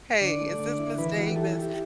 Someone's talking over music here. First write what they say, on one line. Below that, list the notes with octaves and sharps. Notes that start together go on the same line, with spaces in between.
"Hey, is this Ms. Davis?"
D3 D5
A3
D3
E4
E3 B4
E3 F#4
G4
E4 A4
G4
E4
G4